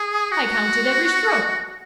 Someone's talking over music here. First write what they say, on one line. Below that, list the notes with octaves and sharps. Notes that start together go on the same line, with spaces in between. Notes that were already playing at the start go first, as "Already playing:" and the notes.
I counted every stroke.
Already playing: G#4
F#4